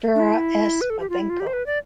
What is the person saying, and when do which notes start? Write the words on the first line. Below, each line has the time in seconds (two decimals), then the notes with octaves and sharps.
Vera S. Babenko.
0.15 D4
0.20 E4
0.81 B4
0.90 A4
1.00 G4
1.10 F4
1.19 E4
1.30 F4
1.40 G4
1.47 C5
1.53 B4
1.66 D5